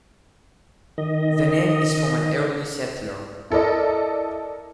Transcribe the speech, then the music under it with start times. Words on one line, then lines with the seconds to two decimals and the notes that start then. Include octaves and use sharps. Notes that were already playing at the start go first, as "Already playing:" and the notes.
The name is from an early settler.
0.98 D#3 D#5
3.50 E4 A4 A#4 D5 D#5